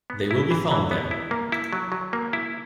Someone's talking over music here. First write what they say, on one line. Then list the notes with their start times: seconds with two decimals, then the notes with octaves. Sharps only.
They will be found there.
0.10 B3
0.31 E4
0.51 E3
0.71 E3
0.91 B3
1.11 E4
1.31 A#3
1.52 E4
1.73 F#3
1.92 F#3
2.13 A#3
2.33 E4